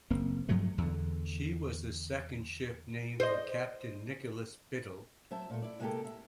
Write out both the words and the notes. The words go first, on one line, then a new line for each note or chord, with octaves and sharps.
She was the second ship named for Captain Nicholas Biddle.
F#1 A#3 C4
G2 F3 F#3 A3
E2 D3
C5 D#5
F#3 C5 E5 A5
A#2 A3
E4 D5
C3 G#3 A#3 F#4 G4 A4
E5